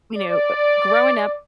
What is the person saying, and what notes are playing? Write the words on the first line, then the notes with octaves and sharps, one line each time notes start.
you know, uh, growing up
D5